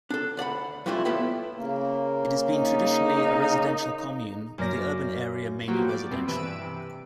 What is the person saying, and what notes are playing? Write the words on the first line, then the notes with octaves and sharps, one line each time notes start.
It has been traditionally a residential commune, with the urban area mainly residential.
D4 A4
D2 D5 F#5 B5
F2 E3 G3 A3 E4 F4
A2 B3 E4 F4 G4 A4
C#3 A#3
D#4
F#2 A#3 D5 A#6
F3 F#3 A#3 B3 F#4 G4
D5
F2 B2 G3 B3 C4
G2 E3 B4 E6 D7
C3